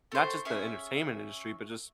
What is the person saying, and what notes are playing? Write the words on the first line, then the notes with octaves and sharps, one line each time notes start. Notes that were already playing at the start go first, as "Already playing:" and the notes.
not just the entertainment industry, but just
A3 C5
C#4 G#4 E5